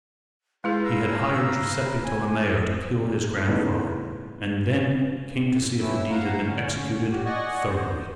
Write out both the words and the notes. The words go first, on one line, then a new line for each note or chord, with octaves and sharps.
He had hired Guiseppe Tolomeo to kill his grandfather, and then came to see if the deed had been executed thoroughly.
G#3 E4 F4 G#4 B4 C5
B4 F5 A#5 E6
G#5
A2 C#3 B3 D#4
A2 E3 A3 E4 E6
F5 F#5 A#5
D3 C#4
F#4 G4
D5 D#5 F#5 G#5 C#6
C5